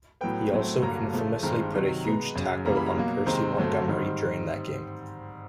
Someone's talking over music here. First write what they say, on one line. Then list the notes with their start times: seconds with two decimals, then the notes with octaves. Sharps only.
He also infamously put a huge tackle on Percy Montgomery during that game.
0.21 A2 F#3 B3 G5
0.52 A2 F#3 A3 C4
0.82 G2 D3 F#3 A#3 A#5
1.13 C#3 F3 A3
1.43 G2 D#3 G#3 C4 A#5
1.74 C3 D#3 F#3
2.05 B2 G#3 B3 A#5
2.35 F#2 C#3 F#3
2.65 F#2 C#3 E3 G3 A#3 A#5
2.75 B5
2.86 A#5
2.96 B2 F#3 A#3
3.26 C3 D#3 G#3 C4 A#5
3.57 G2 D3 F#3 A3 C4
3.88 G#2 D#3 G3 C4